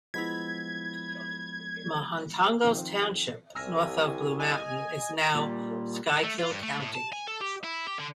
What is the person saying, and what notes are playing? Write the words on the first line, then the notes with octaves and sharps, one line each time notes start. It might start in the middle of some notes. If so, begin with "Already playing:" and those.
Mahantongo Township, north of Blue Mountain, is now Schuylkill County.
F3 G#3 B3 E4 B5 G#6 B6
D#3 F3 C4
C2 G#5 E6 F6 A#6
D#5 G#5
A#2 G3
A3
F4
G2
A3
A2
A5
G#5
A4
G4
E4
G4
D3